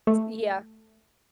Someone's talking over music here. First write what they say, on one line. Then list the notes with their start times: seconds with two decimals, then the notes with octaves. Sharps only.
S yeah,
0.07 A3